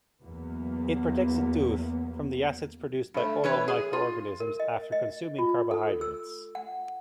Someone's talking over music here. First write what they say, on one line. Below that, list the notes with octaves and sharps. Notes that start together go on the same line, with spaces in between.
It protects the tooth from the acids produced by oral microorganisms after consuming carbohydrates.
E2 F#3 A#3 B3
G2 A3
E3 B4 C#5
G#4
F4
A#4
D#5
D#5
F4
A4
E6
F#5